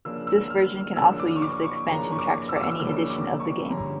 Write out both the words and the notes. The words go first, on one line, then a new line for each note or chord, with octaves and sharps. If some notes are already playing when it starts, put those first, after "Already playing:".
This version can also use the expansion tracks for any edition of the game.
C#3 F3 A#3 D4 E6
E6
F6
C#3 F3 A#3 D4 E6
D6
C#6
D6
C#6
C#3 F3 A#3 D4 A#5
C#6
D6
E6
D6
E6
C#3 F3 A#3 D4 E6
D6
C#6
G2 D3 F3 C#4 A#5